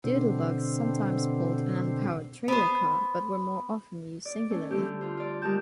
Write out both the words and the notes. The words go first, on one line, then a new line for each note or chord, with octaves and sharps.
Doodlebugs sometimes pulled an unpowered trailer car, but were more often used singularly.
B2 D3 C4
B3 C5
D5
A3 C#4
D3 G3 A3 G4
F4 C5
F4 D5
G3 G#3 G4 A#4 A5 G6